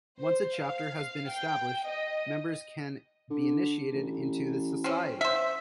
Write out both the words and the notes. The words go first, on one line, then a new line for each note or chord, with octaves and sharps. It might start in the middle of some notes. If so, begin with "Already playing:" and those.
Once a chapter has been established, members can be initiated into the society.
C5
F5
G5
D#5
D3
A1
C4 C#4
C5 E5